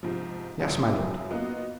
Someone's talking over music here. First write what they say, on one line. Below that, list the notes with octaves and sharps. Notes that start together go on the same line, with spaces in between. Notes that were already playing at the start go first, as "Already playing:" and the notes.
"Yes, my lord."
G#2 C3 F3
C#2 F#2 C#3 E4
A#3 B3 D#4 F4 F#4